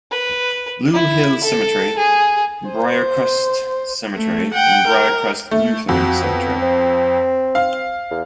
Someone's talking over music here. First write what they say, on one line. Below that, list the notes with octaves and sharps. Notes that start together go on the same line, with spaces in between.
Blue Hill Cemetery, Briercrest Cemetery and Briercrest Lutheran Cemetery.
B4
E4
A4
G#4
C5
A3
F#5 G5
A#4
A3
F2 F#4
B3
C4
F5
E2